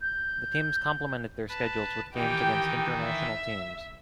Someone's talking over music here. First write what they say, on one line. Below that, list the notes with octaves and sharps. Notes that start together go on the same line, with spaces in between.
The teams complemented their schedules with games against international teams.
G6
B4 A5
D#3 E3 D#4 G4 G5
E5